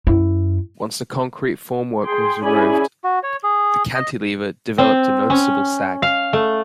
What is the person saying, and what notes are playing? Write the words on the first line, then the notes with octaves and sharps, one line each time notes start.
Once the concrete formwork was removed, the cantilever developed a noticeable sag.
F#2 E4
G#4 G5 C6
C#4 E4 G#4 D5 G#5 B5
F#4
C#5
G#4
D#5
C4
C#4
F5
A3